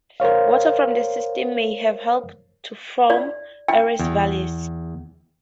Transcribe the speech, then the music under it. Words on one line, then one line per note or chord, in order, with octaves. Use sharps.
Water from this system may have helped to form Ares Vallis.
A#4 C5 C#5 F5
D5
G5
E2